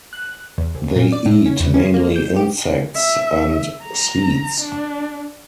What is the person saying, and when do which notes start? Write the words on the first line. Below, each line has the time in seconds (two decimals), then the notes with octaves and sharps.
They eat mainly insects and seeds.
0.13 F#6
0.58 E2
0.75 C2
0.96 A#2
1.12 D5
1.26 A2
1.46 C#4
1.60 E2
1.74 C#4
1.94 A#3
2.16 G6
2.36 G4
2.95 E5
3.84 A#5
4.61 D4